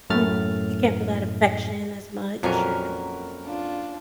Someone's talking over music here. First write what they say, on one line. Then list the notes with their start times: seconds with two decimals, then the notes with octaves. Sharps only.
mm you can't feel that affection as much or
0.10 F#2 A2 A3 F6 A6
2.43 F2 A#2 F#3 C#4 E4 F#4 A#4
3.45 D4 F4